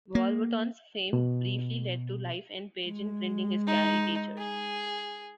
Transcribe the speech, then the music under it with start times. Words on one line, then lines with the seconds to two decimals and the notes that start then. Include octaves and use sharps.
Wolverton's fame briefly led to "Life" and "Pageant" printing his caricatures.
0.15 A#3
1.13 B2
2.86 G#3
3.67 D#4
4.38 G#4